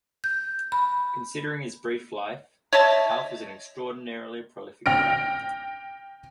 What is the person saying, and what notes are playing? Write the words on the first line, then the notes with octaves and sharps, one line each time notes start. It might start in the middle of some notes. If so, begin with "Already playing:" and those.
Considering his brief life, Hauff was an extraordinarily prolific writer.
G6
B5
C#5 D#5 E5 A5
G5 F6 A#6 D7